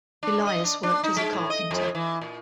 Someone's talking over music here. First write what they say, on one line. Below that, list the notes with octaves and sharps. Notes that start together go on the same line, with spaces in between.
Elias worked as a carpenter.
D4
D#5
D4
D4
D#4
G#3
A2
D#5
F2
E3
A#2